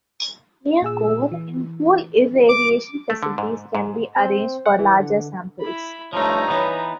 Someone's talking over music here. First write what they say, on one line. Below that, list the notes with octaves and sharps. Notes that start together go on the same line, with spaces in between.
Near core, in-pool irradiation facilities can be arranged for larger samples.
A#2 G#4 E6
E3
D6
A3
D3
G#2
G#2
C4 C5
F#5
E3
D3
E4 B5
G2 F3 A3 D#4 C#5 A#5
E3 B3